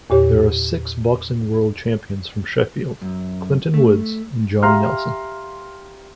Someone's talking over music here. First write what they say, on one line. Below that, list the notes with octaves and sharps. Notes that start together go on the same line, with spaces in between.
There are six boxing world champions from Sheffield, Clinton Woods and Johnny Nelson.
E2 A#2 G4 C#5
F#2
A3
G4 E5 F5 A#5 C6 F6